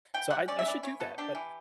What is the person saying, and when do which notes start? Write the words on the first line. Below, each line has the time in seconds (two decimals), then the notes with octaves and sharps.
So I I should do that, but
0.14 E3 G5
0.30 G3 F#5
0.48 C#4 D5
0.59 E5
0.66 E3 D5
0.83 E3 C#5
1.00 B3 A4
1.18 D4 G4
1.35 E3